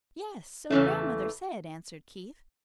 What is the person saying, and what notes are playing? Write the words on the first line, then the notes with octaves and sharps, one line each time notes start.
"Yes, so grandmother said," answered Keith.
E2 C#3 E3 A3 C#4